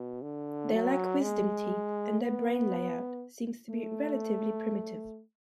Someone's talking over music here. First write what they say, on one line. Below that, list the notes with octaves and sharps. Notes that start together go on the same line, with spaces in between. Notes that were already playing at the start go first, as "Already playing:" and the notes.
They lack wisdom teeth, and their brain layout seems to be relatively primitive.
Already playing: B2
D3
F#3
G#3
B3
A3